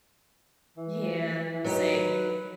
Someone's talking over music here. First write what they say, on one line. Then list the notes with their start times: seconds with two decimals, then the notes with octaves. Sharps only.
Yeah, same.
0.77 E3
1.65 F#3 D#4 G4 B4